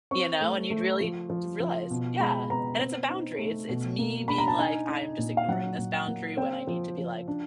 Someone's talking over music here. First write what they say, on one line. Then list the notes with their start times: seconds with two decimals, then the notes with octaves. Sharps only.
You know, and you'd really realize Yeah, and it's a boundary. It's it's me being like, I'm just ignoring this boundary when I need to be like,
0.11 C4 C#6
0.41 A3
0.70 A3
1.01 F3
1.30 F3
1.60 F3
1.90 B2
2.20 G#3 B5
2.50 B3 A#5
2.79 C4
3.09 D#4
3.39 A3
3.69 B2
3.99 A#3
4.28 D4 B5
4.38 A#5
4.48 A5
4.59 D#4 G#5
4.89 D#4
5.18 A#2
5.37 F5
5.48 F#3 F#5
5.78 A#2
5.93 F#5
6.08 A#3
6.37 C4 G5
6.67 F3
6.98 F3
7.28 D4